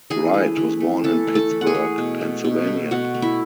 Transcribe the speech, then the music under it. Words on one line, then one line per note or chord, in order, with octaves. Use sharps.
Wright was born in Pittsburgh, Pennsylvania.
E3 G#4 G#5
A3
E3
A3
E3 A4 A5
A3
A4 A5
E3
F#5
G#4 G#5
A3
B2
A3
B2
A3
B2 F#4 F#5
A3
E4 E5